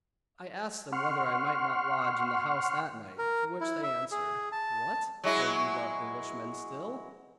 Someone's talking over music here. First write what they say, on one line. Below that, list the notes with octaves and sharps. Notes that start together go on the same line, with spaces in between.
I asked them whether I might not lodge in the house that night, to which they answered, "What, will you love English men still?"
F#5 C6 C#6 F6
A#4
E4
E5
G#4
A5
F#3 G#3 E4